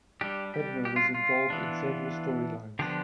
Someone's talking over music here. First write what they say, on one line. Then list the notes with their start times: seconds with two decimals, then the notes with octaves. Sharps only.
Hebner was involved in several storylines.
0.21 G3 D4 G4
0.54 G4
0.85 G4
0.96 F4
1.14 F4
1.50 E3 B3 D4
2.79 D3 F3 B3 D4 G4